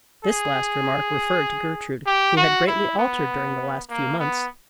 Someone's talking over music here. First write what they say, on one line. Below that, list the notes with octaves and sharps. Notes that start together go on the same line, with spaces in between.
This last remark referred to Gertrude, who had greatly altered during the last few months.
G#4
G4
F#4
E4
B3
A#3
B3